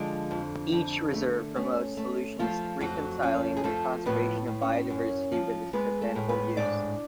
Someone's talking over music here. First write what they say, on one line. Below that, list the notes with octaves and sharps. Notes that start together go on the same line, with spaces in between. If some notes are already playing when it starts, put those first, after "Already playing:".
Each reserve promotes solutions reconciling the conservation of biodiversity with its sustainable use.
Already playing: D3 F3 G#3 D4
F2
F2
A3
A3 C#4
A3
F3 A3 F4
F2 F#3 F#4
F3 C#4
G#4
F3 A3 A4
A2 B3 B4
A2
C#4 C#5
F#2
F3
G#3 B3 B4
A3 A4
A2
B3 B4
G#2 D4 D5